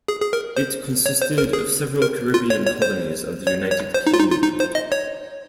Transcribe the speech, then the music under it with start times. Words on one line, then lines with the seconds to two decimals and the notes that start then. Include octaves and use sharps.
It consisted of several Caribbean colonies of the United Kingdom.
0.08 G#4
0.21 G#4
0.33 A#4
0.57 C5
1.06 C#5
1.22 C5
1.38 A#4
1.53 G#4
2.02 A#4
2.34 F4
2.50 C#5
2.66 C#5
2.82 C5
3.47 C#5
3.71 C#5
3.94 C5
4.07 D#4
4.14 F4
4.19 D#4
4.31 F4
4.43 D#4
4.60 C5
4.75 D#5
4.92 C#5